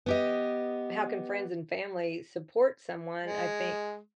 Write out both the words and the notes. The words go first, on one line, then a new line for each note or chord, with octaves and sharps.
how can friends and family support someone, I think,
B3 G4 D#5
G#3